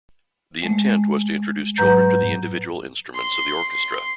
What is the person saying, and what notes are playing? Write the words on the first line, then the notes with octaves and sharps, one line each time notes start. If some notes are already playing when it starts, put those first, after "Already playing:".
The intent was to introduce children to the individual instruments of the orchestra.
G#3 A3
G#2 F#3 B4 A#5 G6
C6 C7